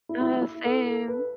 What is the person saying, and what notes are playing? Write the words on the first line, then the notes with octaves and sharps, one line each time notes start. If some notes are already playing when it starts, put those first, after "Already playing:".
Uh, same.
E4
E4
A4
A4
B4